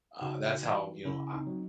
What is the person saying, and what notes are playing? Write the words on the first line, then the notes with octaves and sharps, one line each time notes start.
uh, that's how, you know, I
C#3 D#4 F#4
E3
C#3 C#4 E4
C4 D#4
F#3